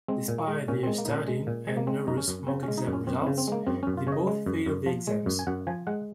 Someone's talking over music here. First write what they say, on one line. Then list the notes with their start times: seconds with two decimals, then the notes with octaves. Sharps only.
Despite their studying, and Naru's mock exam results, they both fail the exams.
0.08 G#3 C4
0.28 A#2
0.38 A#3
0.48 G#3
0.68 A#2 C#4
0.83 G#3 C4
0.98 A#3
1.05 D#4
1.08 A#2
1.13 C#4
1.28 G#3
1.47 A#2
1.67 G#3
1.77 A#3
1.87 G#3 C4
2.07 F#2 D#4
2.18 C#4
2.28 F#2
2.47 C#3 C4
2.63 G#3 C#4
2.78 D#4
2.87 F#2
2.93 C#4
3.07 F#2 C4
3.22 C#3 C4
3.38 C4
3.48 G#3 A#3
3.67 F#2 C4
3.83 F#2 C#4
3.97 F4
4.07 C#3 C#5
4.12 D#5
4.27 G#3
4.46 F#2
4.66 F#2
4.86 F3
5.07 G#3
5.26 F#2
5.39 G#5
5.47 F#2 F#5
5.67 F3 G#5
5.87 G#3 F#5